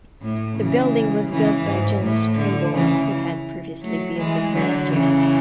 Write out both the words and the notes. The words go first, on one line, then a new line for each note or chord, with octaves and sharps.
The building was built by James Trimble, who had previously built the first jail.
A2
C#3 E3
C#3 E3
G#2
A2
D3
C#3 E3
F#3 A3
E3 G#3
D3 F#3
C#3 E3